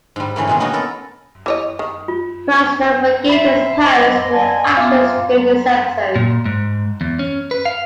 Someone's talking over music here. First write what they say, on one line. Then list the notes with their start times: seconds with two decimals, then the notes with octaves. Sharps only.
Price never forgave his parents for their actions during this episode.
0.16 G#2 G3
0.36 C#3 E3 A3 A#3
0.47 B2 D#3 G#3 A#3 G#4
0.60 A#3 B3 C#4 D#4 F#4
0.73 B3 A4 A#4
1.46 E3 C#5 D#5
1.79 D#3
2.08 F4
3.29 E5 B5 C7
3.83 C5 D#5 B5 D6
4.34 D5 G#5 A5
4.77 B3 F4 E5 D6
6.16 A#2
6.45 G#2
7.01 E2
7.19 C#4
7.51 B4
7.65 F5